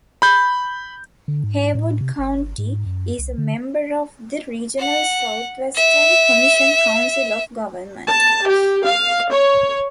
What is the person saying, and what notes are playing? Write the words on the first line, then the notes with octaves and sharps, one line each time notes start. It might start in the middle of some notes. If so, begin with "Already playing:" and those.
Haywood County is a member of the regional Southwestern Commission council of governments.
B5 G6
D3
G#2
A2
C3
G1
G#2
F#2
C2
D3
F#5
E5
A5
G4
F5
C#5